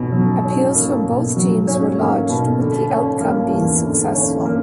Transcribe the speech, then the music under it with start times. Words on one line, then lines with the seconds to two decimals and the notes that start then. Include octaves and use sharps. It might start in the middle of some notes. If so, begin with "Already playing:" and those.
Appeals from both teams were lodged, with the outcome being successful.
Already playing: B2 C#4
0.12 F#3
0.44 C#4
0.74 A#3
1.05 B2
1.36 F#3
1.67 C#4
1.98 A#3
2.29 B2
2.59 D3
2.90 C#4
3.21 A#3
3.53 E2
3.84 D3
4.14 C#4
4.45 A#3